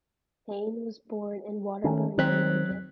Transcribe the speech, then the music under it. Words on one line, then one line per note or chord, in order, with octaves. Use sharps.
Mayne was born in Waterbury, Connecticut.
D#3 A3 C#4
D#3 F#3 G#3 C4 F#6 B6